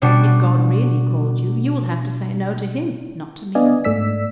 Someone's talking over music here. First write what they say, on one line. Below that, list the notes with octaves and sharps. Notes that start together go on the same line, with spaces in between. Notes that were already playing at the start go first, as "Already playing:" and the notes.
If God really called you, you'll have to say no to Him, not to me.
B2 G3 D4 F#4
B3 D4 D5 D#5 F5 G#5
G#2 A3 D5 E6 B6